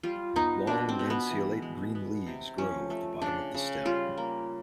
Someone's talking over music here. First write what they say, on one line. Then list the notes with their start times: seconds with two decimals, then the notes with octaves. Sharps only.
Long lanceolate green leaves grow at the bottom of the stem.
0.03 G3 F4
0.36 B3 D#4
0.67 B2 D4
0.89 C4
0.99 B2
1.10 B3
1.30 E3
1.62 G#3
1.95 B3
2.27 C3
2.58 F3 C#4
2.90 A3
3.22 C#3 D4
3.54 C#3
3.85 G3 F4
4.18 A#3